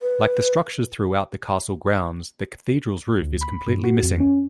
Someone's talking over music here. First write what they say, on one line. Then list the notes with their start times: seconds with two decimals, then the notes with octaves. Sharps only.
Like the structures throughout the castle grounds, the cathedral's roof is completely missing.
0.01 B4
3.21 D2
3.41 B5
3.67 G2
3.84 F#4
4.03 F2
4.20 C#4